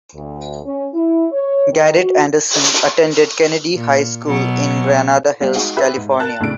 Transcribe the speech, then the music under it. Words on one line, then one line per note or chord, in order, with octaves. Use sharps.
Garret Anderson attended Kennedy High School in Granada Hills, California.
D2
C#4
E4
C#5
D#3
F#4
A#2
B2 F#3
G3 B3 C4 F5
G#3 D#4 F#4 G#4 F5 F#5
G4 G#4 B4 E5 F5
G#2
A#4 A5 F#6 A6
G#1 A2 C#3 D4 D7